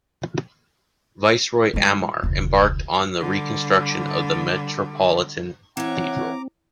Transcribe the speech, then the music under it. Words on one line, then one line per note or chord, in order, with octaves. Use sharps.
Viceroy Amar embarked on the reconstruction of the Metropolitan Cathedral.
D#3 G#3
E1 C#2
D3 G3
E3 C4 C#5 F#5 A#5 D6